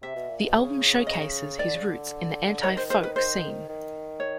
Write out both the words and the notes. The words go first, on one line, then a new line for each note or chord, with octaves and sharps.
The album showcases his roots in the anti-folk scene.
C3 E5
B2
A#2
B2
C#3
D#5
D#3 D5
D3
C#3
D3
D#3 C#5
C5
C5
B4
C5
D#3
C#5